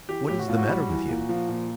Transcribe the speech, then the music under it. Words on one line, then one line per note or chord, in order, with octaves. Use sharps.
"What is the matter with you?"
E3 G4
A2 G4
F#4
A2 F4
F#4
G3
E3
A#2
F3
A#2